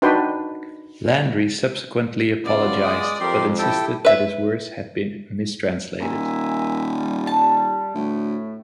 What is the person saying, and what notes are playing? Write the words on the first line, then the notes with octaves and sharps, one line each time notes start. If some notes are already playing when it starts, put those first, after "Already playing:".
Landry subsequently apologized but insisted that his words had been mistranslated.
D4 D#4 F#4 B4 G5 C6
C#3 B3 F4 D5
G#3 D#6
F2 G4 A#4 C6
E4 G4 A4 G5
B4 E5
D#1 A#4 E5 G#5
G3
A5
D2 A2 A3